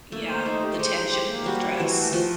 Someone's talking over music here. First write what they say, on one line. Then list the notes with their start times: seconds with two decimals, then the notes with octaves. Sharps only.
Yeah, the tension and the stress.
0.12 A3 A#3
0.29 C5
0.45 A3 D#4
0.63 G4
0.79 G#3 C5
0.96 C5
1.12 G4
1.29 A#3
1.45 G3 F#4
1.63 F3
1.80 E3 F#4
1.95 A3
2.12 F3 F#4